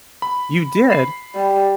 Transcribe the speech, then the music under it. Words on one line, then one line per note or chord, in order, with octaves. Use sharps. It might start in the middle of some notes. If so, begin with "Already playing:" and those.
You did?
B5
B5 C7
G3